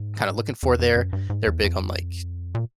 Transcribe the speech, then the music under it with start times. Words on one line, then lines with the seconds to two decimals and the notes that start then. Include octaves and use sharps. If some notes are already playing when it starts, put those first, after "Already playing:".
kinda looking for there. They're big on, like,
Already playing: G#2
0.63 E2
0.79 F2
0.96 F#2
1.13 G2
1.30 G#2
1.47 E2
1.64 F2
2.55 A#2